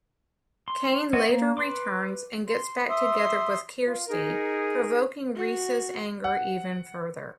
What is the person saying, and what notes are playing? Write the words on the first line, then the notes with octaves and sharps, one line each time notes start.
Kane later returns and gets back together with Kirsty provoking Rhys' anger even further.
C6
C4 C#5 D#5 F#5
A#3
B4 C6 D6
C6
E5 C6 D#6 E6
F4
D#4 G#4 A#4
F#4
F#5